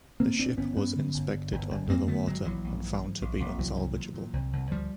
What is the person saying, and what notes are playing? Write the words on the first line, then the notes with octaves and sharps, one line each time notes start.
The ship was inspected under the water and found to be unsalvageable.
D3 A#3 C4
G1 C4 D4
G1 B3 C#4
G2 B3 C#4
D3
G1
D3
G1
G1
F2 A#3 C4
D3 A3 B3
G1 F#3 G#3
A#1 E3 F#3
A#1
G#2
G#2
A#1
A#1
C2 E3 F#3
C2
A#2
A#2
C2
C2
D2 F3 G3